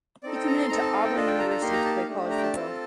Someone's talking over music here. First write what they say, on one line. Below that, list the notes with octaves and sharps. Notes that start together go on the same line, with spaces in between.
He committed to Auburn University to play college football.
C4 D#4 A4 D5
G5
A#5
C6
C4 D#4 A4 A#5
A5
F5
G5
D4 F4 A4 D#5
G5
A#5
A#5
A#3 D#4 G4 C6
A#5
A5
F5
A3 D4 G4
A#5
G5
A5
C4 F4 A4